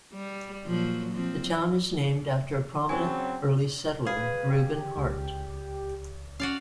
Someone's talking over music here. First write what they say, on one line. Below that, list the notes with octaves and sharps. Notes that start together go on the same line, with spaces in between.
The town is named after a prominent early settler, Reuben Hart.
G3
A#2 F3 F#3
F3 C4
C#3 F#3 C4 G#5 G#6
G#4 B4 F5
G4
C#2
C#4 F#4 D5 F5